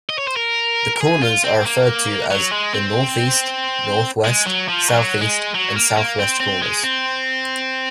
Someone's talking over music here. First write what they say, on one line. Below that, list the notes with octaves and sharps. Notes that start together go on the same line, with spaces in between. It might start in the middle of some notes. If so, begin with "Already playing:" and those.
The corners are referred to as the North-East, North-West, South-East and South-West corners.
D#5
C#5
C5
A#4
A#4
G#4
F4
C4
A#3
F#3
G#3
C4
G#3
F#3
F3
F#3
G#3
F#3
A#3
A#3
C4
C4
G#3
C4